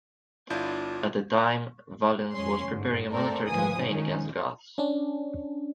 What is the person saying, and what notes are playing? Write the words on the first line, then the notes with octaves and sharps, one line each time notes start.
At the time, Valens was preparing a military campaign against the Goths.
G1 D4 E4 F4 G6
F2 G#3 C#4 C6
G1 D2 G#2
A3 A#3 C4 A4 A#4 D5
G#1 D2 F3 B4 G#5 D#6
D#3 F3 G#3 C#4 D#4
C#4 D4